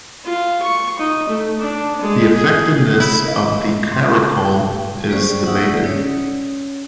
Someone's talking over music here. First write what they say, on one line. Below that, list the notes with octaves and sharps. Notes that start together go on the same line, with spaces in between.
The effectiveness of the caracole is debated.
F4
C#6
D#4
A3
D4
G#3
G#4
E4
A#4 D#5 F5
C6
G3 A#3 G#4 C5 D5 C#6
D5 E5 F#5 C#6 D#6 E6
C#4 C#5